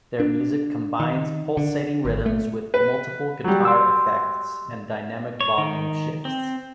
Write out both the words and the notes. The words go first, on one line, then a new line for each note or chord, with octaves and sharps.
Their music combines pulsating rhythms with multiple guitar effects and dynamic volume shifts.
D4
D#3
D3
G#1
A3
B4
F#3 G3
C6 E6
C#5
D#3
C4